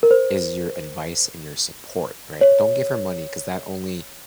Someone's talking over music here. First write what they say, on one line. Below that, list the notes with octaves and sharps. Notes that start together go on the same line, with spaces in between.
is your advice and your support, right? Don't give her money 'cause that only,
A#4
C5
C#5